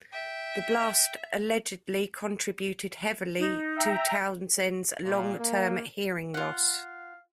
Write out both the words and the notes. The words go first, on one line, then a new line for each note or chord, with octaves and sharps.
The blast allegedly contributed heavily to Townshend's long-term hearing loss.
E5 G5
D#4
E5 G5 A#5
A#2
A#3
F4 F5 F#5